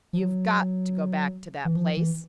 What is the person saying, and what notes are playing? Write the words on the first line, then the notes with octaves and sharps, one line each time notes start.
"You've GOT to go back to that place?"
F3
F#3
E3
F3
E3